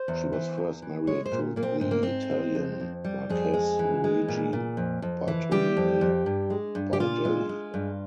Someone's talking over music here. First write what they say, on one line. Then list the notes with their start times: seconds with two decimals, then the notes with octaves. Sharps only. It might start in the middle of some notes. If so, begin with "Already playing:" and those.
She was first married to the Italian Marquess Luigi Bartolini-Baldelli.
Already playing: C5
0.08 E2
0.33 E3
0.57 E2
0.82 E3
1.07 G#3 C#5
1.26 C5
1.32 A#2
1.56 A#2 A#3
1.63 C4
1.80 G#2 C4
1.91 A#3
2.03 G#2 C4
2.31 G#3
2.55 F2
2.80 F2
3.04 G3
3.29 F2 G#4
3.54 G#3
3.79 E3
4.04 G#3
4.28 A#2
4.53 A#2
4.77 F2
5.02 F2
5.28 E3
5.51 G3 G4
5.77 F2
6.01 F2
6.26 G2
6.50 G#3
6.75 G2
6.93 G4
7.00 A#2 F4
7.25 G#3
7.49 G#3
7.74 G2